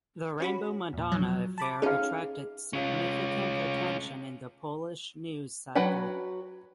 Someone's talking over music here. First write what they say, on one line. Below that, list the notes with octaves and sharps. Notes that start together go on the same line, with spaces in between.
The Rainbow Madonna affair attracted significant attention in the Polish news cycle.
C#4 F#4 B5
E2 A#2
F3 F#3
A5 B5 D6
C#4 D#4 G#4 F5
C#4 F4
F#3 B4 F#5 G5 B5